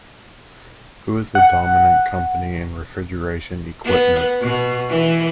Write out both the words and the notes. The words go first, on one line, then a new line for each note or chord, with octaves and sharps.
Who is the dominant company in refrigeration equipment?
F#5
B3
B2
E3